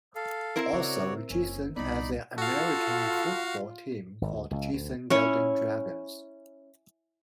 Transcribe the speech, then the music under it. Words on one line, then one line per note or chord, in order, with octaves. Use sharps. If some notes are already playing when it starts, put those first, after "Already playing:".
Also, Giessen has an American football team called Giessen Golden Dragons.
A4 F5
C4 E4 A#4
C#3 F#4 C#5 D5
F#1 C#4
C2 B3 D#4 D5 B5
F4 F#4 A4 F5
G#1
D2
C#2
D2
C#4 E4 C#5